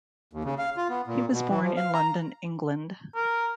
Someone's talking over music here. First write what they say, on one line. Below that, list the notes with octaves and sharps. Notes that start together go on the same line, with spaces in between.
He was born in London, England.
D#2
C#3
F5
F4
B3
A#2
B2
E3
F3
F5
A#5
A#4